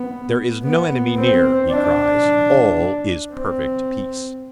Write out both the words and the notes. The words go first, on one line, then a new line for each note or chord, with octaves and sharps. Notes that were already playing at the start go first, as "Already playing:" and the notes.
"There is no enemy near," he cries, "all is perfect peace!"
Already playing: B3
B3
C4
D4
C4